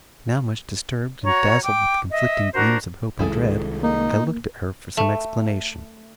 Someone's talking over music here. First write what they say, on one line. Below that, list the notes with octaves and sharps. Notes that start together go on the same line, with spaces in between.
Now much disturbed, and dazzled with conflicting gleams of hope and dread, I looked at her for some explanation.
F#4 C#5 A#5 C#6
G5 D6
D#5 E5
D4 F#4 A#4 C5
C2 D#3 G#3 E4 G#4 A4
A#3 D#4
A3